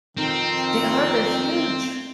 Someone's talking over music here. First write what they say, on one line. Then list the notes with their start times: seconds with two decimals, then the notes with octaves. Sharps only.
They are, they're huge.
0.17 F2 D#3 C4